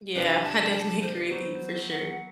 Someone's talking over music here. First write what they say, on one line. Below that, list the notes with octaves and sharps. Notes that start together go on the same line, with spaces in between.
Yeah, I definitely agree with you for sure.
C3 G3 D4 G4 B4
A5
A5
C5
B4
F#3 B3 F#4 C5
F#5